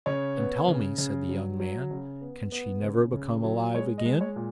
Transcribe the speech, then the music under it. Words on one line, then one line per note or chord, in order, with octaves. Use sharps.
"And tell me," said the young man, "can she never become alive again?"
C#3 C#5
B3
C#3
C#3
F#3
F#3
C#3
B3
B3
C#3
C#3
F#3
G#3 C#5
D#5
G#3
C#5
A#2